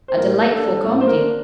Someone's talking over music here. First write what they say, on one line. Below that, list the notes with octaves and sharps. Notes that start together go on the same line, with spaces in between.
A delightful comedy.
C5
A2 A#4
A#3
D4 A4
G3
A2
A#3 C5
A#4
D4